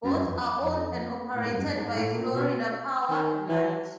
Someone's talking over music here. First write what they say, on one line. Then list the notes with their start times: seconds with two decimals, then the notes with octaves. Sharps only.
Both are owned and operated by Florida Power and Light.
0.04 F#2
0.14 F#2
0.23 F2
0.60 F2
1.35 A2
1.43 G#2
1.49 G2
1.58 F#2
1.76 G#2
1.96 A2
2.14 A#2
2.34 B2
3.10 D#3
3.49 E3